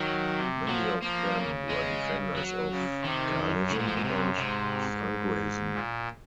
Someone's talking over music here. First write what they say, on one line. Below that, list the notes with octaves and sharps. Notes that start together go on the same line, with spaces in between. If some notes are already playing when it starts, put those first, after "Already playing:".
Many of them were defenders of Carlism and Francoism.
Already playing: D#3 F#3
C3
F3 F#3
F3 A#3
C#3
G#3
F#3
C#3
C3 D#3
F#2
G#2 C#3
A#2
F3
A#2
F#2 C3
G#2 C3
A#2